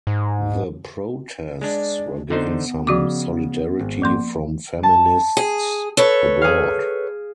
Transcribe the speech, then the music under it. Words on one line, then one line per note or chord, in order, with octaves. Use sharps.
The protests were given some solidarity from feminists abroad.
G#2
G#3 D4 D5
D3 B3 D#4 C5
C#3 F3 F#4 D6
G#1
F3 A#3 C6
A5
G#4
A4 B4 C#5
G#4 F5